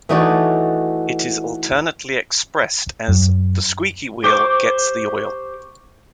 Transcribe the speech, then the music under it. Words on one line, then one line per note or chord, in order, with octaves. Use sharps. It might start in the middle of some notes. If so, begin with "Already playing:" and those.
It is alternately expressed as "The squeaky wheel gets the oil".
E3 A3 D#4 F#4 C#5 D5
F#2
G4 C5 C#6 D6